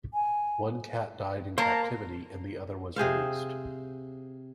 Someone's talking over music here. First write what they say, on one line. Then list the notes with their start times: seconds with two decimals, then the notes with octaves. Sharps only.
One cat died in captivity, and the other was released.
0.14 G#5
1.58 A#3 C5 A5 A#5
2.96 C3 G#4 C5 F5